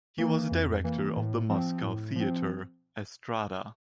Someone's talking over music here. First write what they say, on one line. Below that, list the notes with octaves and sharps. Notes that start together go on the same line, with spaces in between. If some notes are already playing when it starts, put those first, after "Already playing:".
He was a director of the Moscow theatre "Estrada".
E3 A#3
F2
E3 A#3
A2
F3 C4
A2
F3 C4